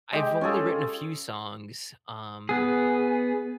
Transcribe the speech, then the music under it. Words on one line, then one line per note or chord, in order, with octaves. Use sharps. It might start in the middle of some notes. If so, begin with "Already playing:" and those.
I've only written a few songs. Um,
G#3 G4 G5
C#4 F4 G#4 A4
B3 G#4